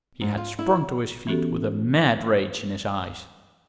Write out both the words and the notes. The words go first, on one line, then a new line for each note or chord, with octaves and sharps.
He had sprung to his feet with a mad rage in his eyes.
G#2
F4
E4
E3 B3 C#4 F#4 G4 A4